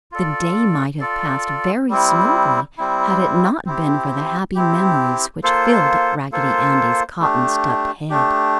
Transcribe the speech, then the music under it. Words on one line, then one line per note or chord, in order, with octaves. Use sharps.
The day might have passed very slowly had it not been for the happy memories which filled Raggedy Andy's cotton-stuffed head.
F4 A4 D5
F4 A4 D5
G3 C4 E4
G3 C4 E4
C4 E4 G4
C4 E4 G4
A#3 F4 A4 C5
A#3 F4 A4 C5
A3 D4 G4
A3 D4 G4